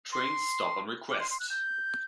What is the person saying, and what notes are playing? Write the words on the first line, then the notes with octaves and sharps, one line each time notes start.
Trains stop on request.
C6
D6
C6
C6
F#6
G6